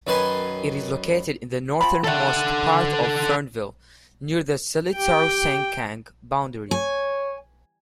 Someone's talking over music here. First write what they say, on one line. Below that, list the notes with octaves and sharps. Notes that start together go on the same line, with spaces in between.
It is located in the northernmost part of Fernvale, near the Seletar-Sengkang boundary.
F#2 D#3 B4 G#5 C6
F3 C4 B5
D#3 G3 A3 A4 F#5
G4 G5
C#5 G#5